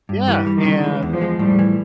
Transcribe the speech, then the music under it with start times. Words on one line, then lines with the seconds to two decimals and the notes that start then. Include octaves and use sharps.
Yeah, and
0.09 G2
0.27 E3 G3
0.47 G3
0.56 D#3
0.65 C#3
0.84 E3 G#3
1.02 E2
1.12 F3
1.21 G#3
1.39 A2 G3
1.59 E3